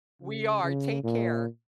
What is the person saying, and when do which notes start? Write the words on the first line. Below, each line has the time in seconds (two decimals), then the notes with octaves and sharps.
We are, take care.
0.22 C#3
0.63 C#3
1.04 A#2